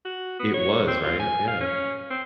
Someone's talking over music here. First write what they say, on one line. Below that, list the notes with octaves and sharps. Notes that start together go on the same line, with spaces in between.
It was, right? Yeah.
F#4
B3
C#5
C4
F4
G#5
F5
C#4
C4